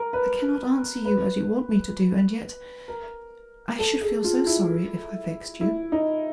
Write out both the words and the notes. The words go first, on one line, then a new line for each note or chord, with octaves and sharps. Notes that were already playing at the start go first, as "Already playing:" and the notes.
I cannot answer you as you want me to do, and yet I should feel so sorry if I vexed you.'
Already playing: A#4
B4
B4
A#4
A4
G#4
F4
E4
E4
D#4